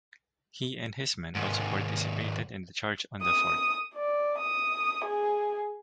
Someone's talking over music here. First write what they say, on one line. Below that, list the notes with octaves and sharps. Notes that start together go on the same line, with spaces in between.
He and his men also participated in the charge on the fort.
D#2 G#2
D#6
D5
D#6
G#4